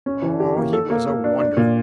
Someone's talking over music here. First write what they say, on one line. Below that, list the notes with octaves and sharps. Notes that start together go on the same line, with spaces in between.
Oh, he was a wonder!
C#4
E3
G4
A#3
A4
A#3
A#3
D4
D4
A#2